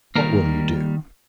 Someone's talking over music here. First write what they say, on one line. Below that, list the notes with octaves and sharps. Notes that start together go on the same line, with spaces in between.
"What will you do?"
D#3 G3 A#3 A#4